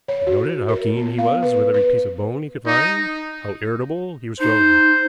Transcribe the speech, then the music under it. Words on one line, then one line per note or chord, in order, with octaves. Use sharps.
You noted how keen he was with every piece of bone he could find, how irritable he was growing.
C#5
F#4
A#4
B3
F5
B4
B4
D#4
D#4 C5